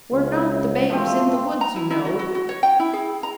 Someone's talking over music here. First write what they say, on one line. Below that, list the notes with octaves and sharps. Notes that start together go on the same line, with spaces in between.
We're not the 'Babes in the Woods,' you know.
C#2
E1 F3 A3 C4
A#5
E4
E4
F#4
F#4
F#4
C#5
G5
E4
G#4
A#5